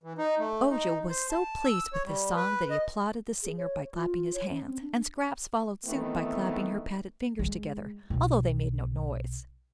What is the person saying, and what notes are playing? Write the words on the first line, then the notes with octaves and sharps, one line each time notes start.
Ojo was so pleased with this song that he applauded the singer by clapping his hands, and Scraps followed suit by clapping her padded fingers together, although they made no noise.
E3
D#4
A3
D#4
C5
A5
E6
C#5
G3
B4
D#5
G#4
C#5
F4
C#5
C#4
C4
D4
D#3 E3 A3 B3 C4
G#3
B1